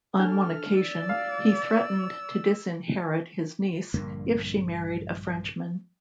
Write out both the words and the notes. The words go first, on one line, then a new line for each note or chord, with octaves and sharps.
On one occasion, he threatened to disinherit his niece if she married a Frenchman.
D4 A4 F6
D5 E6
F5
A#1 G2 D3 A#3